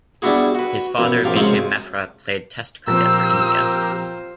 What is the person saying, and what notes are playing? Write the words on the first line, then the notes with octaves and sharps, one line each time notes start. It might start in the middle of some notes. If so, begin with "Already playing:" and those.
His father Vijay Mehra played Test cricket for India.
G3 B3 D4 E4 F#4 G#4
F#4 B4
F#2 B2 E3
F#2 F3 G4 F5 A5
F#2 C3 G#3 C4 C#4 F4
A#2 F3 C4 F4 G4 A#4 C5 E6